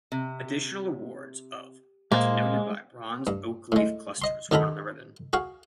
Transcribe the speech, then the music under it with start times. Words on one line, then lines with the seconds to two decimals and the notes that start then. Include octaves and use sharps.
Additional awards of are denoted by bronze oak leaf clusters worn on the ribbon.
0.12 C3
2.12 A#2 G#3 A#3 C5
3.27 G2
3.72 A2 G#3
4.22 D#5 C6
4.51 F#2 D#3 F#3 A4 A#4 B5
5.33 F#4 G#4 F5